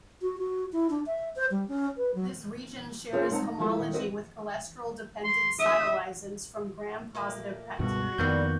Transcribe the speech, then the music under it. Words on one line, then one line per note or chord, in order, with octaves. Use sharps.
This region shares homology with cholesterol-dependent cytolysins from Gram-positive bacteria.
F#4
F#4
E4
D4
E5
C5
G3
C#4
B4
F#3
A#3 B3 C#4 F4 G#4 C5
G#2 C4 D#4 F#5 A5
D#4
F3 G#3 E4 A4
D#3
C4 F#4 B4 D#5
C6
E5 D#6
A#2 A3 A#3
C#2 G2 B2 F#4
F2 D#3 G3 A#3 B3 D4 G6